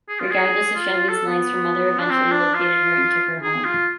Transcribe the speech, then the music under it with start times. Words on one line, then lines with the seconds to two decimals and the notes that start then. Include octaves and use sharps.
Regardless of Shelby's lengths, her mother eventually located her and took her home.
0.09 G#4
0.20 F4
0.31 G#4
0.75 F4
0.93 F4
1.09 A4
1.27 B3
1.99 D4
2.10 C4
2.31 D4
2.54 F4
3.43 G#4
3.65 F4